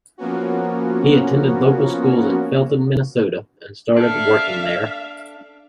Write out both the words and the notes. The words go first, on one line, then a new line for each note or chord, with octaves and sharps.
He attended local schools in Felton, Minnesota and started working there.
F3 A#3 B3 C#4 F#4
D4 A4 E5 F5